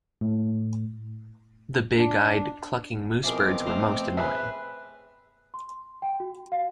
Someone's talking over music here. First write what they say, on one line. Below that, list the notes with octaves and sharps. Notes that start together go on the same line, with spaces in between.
The big-eyed, clucking moose-birds were most annoying.
A2
D4
B2 F3 C4 E4 G#4 A#4 D6
A3 A#5 C6
C#4 G#4 B4 E5
C6
G5
F#4
F5